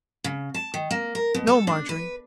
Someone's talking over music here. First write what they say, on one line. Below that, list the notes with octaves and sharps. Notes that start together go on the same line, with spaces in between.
No, Marjorie.
C#3
A5
D#3
A#3
A#4
B2
A4
D4
B4